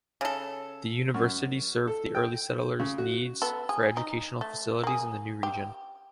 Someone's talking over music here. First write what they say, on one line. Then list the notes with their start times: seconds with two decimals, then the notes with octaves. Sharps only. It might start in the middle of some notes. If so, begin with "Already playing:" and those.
The university served the early settlers' needs for educational facilities in the new region.
0.21 C#3 A4
1.14 F#2
1.87 A4
2.15 G5
2.80 C#3
2.98 F#4
3.42 B3 A4
3.69 G#4
3.97 D#4
4.41 A3
4.84 A#3 G#4
5.43 G4